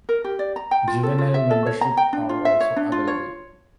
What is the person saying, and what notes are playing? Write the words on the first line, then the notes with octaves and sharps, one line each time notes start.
Juvenile memberships are also available.
A#4
G4
D5
A#5
G5
F4
A4
F4
E5
A4
C#5
A#5
G5
D4
F4
E5
C#5
D4
F4
C#5